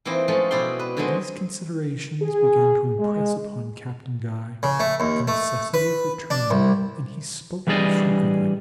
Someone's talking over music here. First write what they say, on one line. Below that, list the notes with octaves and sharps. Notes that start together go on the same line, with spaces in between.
These considerations began to impress upon Captain Guy the necessity of returning, and he spoke of it frequently.
E3 A#3 C4 D#4 E4
F3 G#3 A3 C#4
B2 E4 G#4 D5 G5 C6
B4
D3 D#3 F#3 G#3 C4 G#4
G#4
G#3
C#3
A3
D#2
A3
B4
D4
C2
E3 G3 D4 G#4 D5 D#5